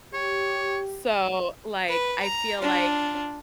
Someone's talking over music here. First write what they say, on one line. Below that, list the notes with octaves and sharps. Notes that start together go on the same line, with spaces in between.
so, like, I feel like
G4 C#5
B4
A#5
D4 F4